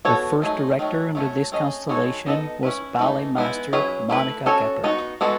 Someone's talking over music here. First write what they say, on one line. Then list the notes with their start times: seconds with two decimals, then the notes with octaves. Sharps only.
The first director under this constellation was ballet master Monika Geppert.
0.05 B3 F#4 A4 C#5
0.42 F#3 A3 D#4 G#4
0.79 D#3 F#3 A3
1.15 F#3 A3 C#4
1.52 A3 C#4 G#4 D#5
1.89 G#3 D#4 F#4 A4 C#5
2.26 B3 D#4 A4 D#5
2.63 C#4 E4 B4
2.99 E3 A3 D#4
3.36 G#3 B3 E4
3.73 F#3 C#4 E4 G#4 B4
4.10 A3 E4 B4
4.46 C#4 F#4 A4 C#5
4.84 B3 D#4 F#4
5.21 E3 G#3 B3 F#4 A4